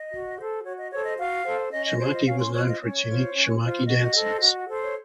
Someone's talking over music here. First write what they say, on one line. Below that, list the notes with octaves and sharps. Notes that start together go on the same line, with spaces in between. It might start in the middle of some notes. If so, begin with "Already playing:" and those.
Shamakhi was known for its unique Shamakhi dancers.
Already playing: D#5
F#4
A4 C5
F#4 C#5
D#5
A4 C5 C#5
D#5
F#4 F5
A4 C5
C#4 D#5
D#5
F4 C5 C#5
D#5
C#4 F5
C6
F4 C5 C#5
D#5
C#4 C#5
F4 C5
C#4
F4 C5
F#4 D#5
A4 C5
F#4
A4 C5
C#5